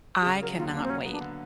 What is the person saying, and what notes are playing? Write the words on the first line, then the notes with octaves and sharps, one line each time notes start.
I cannot wait.
G4
C#3 G#4
F#3 A#4
D#2 F4
A#3 D4
C4
F#3 C#4
B3
D4
D3